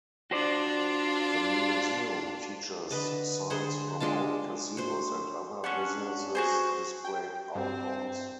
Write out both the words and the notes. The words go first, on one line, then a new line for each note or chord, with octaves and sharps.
The museum features signs from old casinos and other businesses displayed outdoors.
D4 F4 F#4 C5 D5
D3 B4 D#5 A5
D3 G#4 C5 F#5
G#3 D4 F4 A5
F#4 C5
C#4 D4 F#5
F#4 G#4 C5
G5
G2 C4 C5